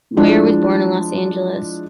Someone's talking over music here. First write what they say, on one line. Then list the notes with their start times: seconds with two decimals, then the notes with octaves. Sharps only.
Moyer was born in Los Angeles.
0.17 F3 G#3 D4 E4